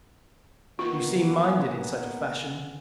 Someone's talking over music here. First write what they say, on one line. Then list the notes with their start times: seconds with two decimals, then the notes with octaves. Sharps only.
You seem minded in such a fashion.
0.79 D#3 A#3 B3 F4
1.45 F5 F#5 G#5